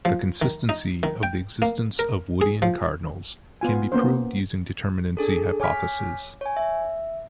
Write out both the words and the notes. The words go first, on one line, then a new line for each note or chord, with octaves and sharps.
The consistency of the existence of Woodin cardinals can be proved using determinacy hypotheses.
F3
D#3
D#4
D#3
G5
A#3
A#4
G#4
F3
B3 F4 G#5
A#3 B3 C#4 C5
D4 G#4 A4
C#5 G#5 D6 F6 B6
C#5 G#5
E5